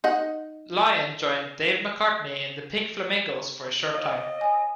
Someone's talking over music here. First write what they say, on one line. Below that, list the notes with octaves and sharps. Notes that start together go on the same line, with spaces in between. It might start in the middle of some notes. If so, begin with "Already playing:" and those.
Lyon joined Dave McArtney in the Pink Flamingos for a short time.
D#4 D#5 F#5
D#5
G#5